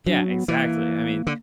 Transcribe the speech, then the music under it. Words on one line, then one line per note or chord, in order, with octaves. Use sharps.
Yeah, exactly, I mean,
F#3 D4
B3
E3 A#3
D3